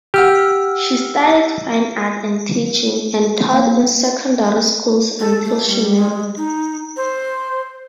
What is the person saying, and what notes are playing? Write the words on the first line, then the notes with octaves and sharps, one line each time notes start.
She studied fine art and teaching, and taught in secondary schools until she married.
G4 F#5 E6 F6
A#3
A4
A3
G3
G#3
D#4
C5